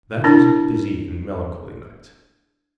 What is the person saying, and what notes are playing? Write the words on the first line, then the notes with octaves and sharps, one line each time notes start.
That was a busy and melancholy night.
D4 E4 A#4